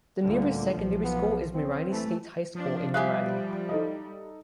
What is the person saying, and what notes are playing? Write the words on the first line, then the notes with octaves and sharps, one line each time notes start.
The nearest secondary school is Mirani State High School in Mirani.
D2 A#2 D3 G3
B1 F3
B3
C4
E3 A3
F3 D4
G3 G4 E5 F5 G#5 D#6 F#6
D#4 A4 D#5